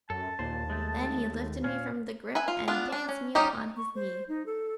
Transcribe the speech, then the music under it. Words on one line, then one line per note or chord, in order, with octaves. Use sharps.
Then he lifted me from the grip and danced me upon his knee.
F#2 A4 A5
D#2 A#2 C5
G#3 A3
A#2 C#4 F5
B4 E5 G#5
F4
B3 D4 F4
D4
C#4
G3 C#4 D#4 G4 D#5
C#6
C5
D#4
A4